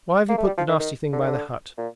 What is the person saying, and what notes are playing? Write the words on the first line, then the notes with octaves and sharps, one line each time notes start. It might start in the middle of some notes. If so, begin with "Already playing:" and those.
Why have you put the nasty thing by the hut?'
A#3
A3
G3
F3
D#3
D#3
D3
D#3
D3
A#2